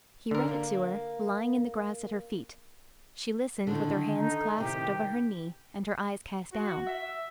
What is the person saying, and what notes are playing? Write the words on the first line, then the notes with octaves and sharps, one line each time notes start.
He read it to her, lying in the grass at her feet; she listened with her hands clasped over her knee and her eyes cast down.
D3 A#4
A#3
D3 D#3
D#4
C3 D#3 G4
F#4
E5